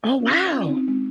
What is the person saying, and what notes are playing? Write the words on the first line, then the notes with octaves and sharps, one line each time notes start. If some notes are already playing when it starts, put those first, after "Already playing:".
Oh, wow.
C#4 F4
C#4 F4
C4 D#4
C4 D#4
G#3 C4